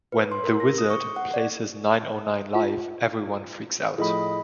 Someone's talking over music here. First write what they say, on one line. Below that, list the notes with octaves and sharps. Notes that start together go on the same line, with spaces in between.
When "the wizard" plays his nine o nine live, everyone freaks out.
B4
C6
A#4
A#6
D#6
C#6
F#5
D5
F4
A2 F3 A3 G#4 D#5 B5